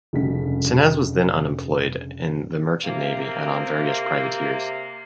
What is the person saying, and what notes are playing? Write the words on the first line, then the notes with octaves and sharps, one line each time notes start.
Senez was then employed in the merchant navy and on various privateers.
F1 G2 C#3 F#4 B6
C3 A#3